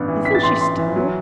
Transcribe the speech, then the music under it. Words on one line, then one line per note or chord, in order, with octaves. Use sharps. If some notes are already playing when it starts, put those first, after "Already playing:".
"Isn't she still?"
Already playing: A1 G2 B3
E3
A1 B6
A6
A1 C6
A1 C6
E3
F#3